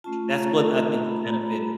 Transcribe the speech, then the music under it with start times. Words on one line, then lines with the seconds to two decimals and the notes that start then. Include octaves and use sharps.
that's what I think the benefit is.
0.04 A3 C#4 F4 A5
0.30 A#5
1.05 B5
1.16 B5
1.29 A#5
1.41 B5
1.48 A#5
1.54 B5